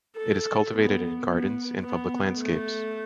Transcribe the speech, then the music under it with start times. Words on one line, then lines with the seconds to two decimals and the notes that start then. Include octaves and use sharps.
It is cultivated in gardens and public landscapes.
0.16 A4
0.73 B3
1.28 B3
1.83 B3
2.39 A3